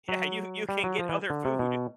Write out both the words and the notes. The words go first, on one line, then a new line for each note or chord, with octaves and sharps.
Yeah, you you can get other food.
F#3
G3
F#3
F3
E3
D3
C3
B2